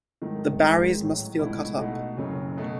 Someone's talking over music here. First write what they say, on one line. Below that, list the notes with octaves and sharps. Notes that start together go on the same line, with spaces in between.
The Barrys must feel cut up.
G#2 D#3 F#3 A3
G#2 D#3 G#3 D#4
A1 A2 F#3
C#2 B2 A3 E4
B2 A3 D#4 F#4
F#1 F#2 C#3 F#3
B2 A3